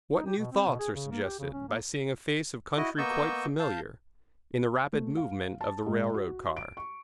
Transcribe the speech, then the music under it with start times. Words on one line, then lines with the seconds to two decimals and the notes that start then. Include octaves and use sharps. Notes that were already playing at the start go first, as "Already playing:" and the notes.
What new thoughts are suggested by seeing a face of country quite familiar, in the rapid movement of the rail-road car!
0.13 D#4
0.26 G4
0.38 B2
0.52 C4
0.67 B2
0.79 G#4
0.95 C#3
1.11 A#3
1.24 G4
1.39 C#3
1.53 C#4
1.68 A#3
2.77 E4 F#4 D#5
2.98 A#3 B3 D#5 C#6 E6 G6
3.59 F5 A5 G6
4.93 A3
5.17 F5
5.61 A5
5.86 G#2
6.14 F#4
6.57 D7
6.77 C#6